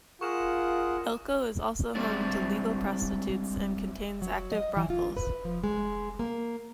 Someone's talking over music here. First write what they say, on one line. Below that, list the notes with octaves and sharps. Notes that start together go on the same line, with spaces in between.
Elko is also home to legal prostitutes and contains active brothels.
F4 G#4 A#4 F#5 C#6 E7
G3 G#3 C4 D4 E4 D5
F#3
D#5
E3
F4
B4
F3
G#3
A#3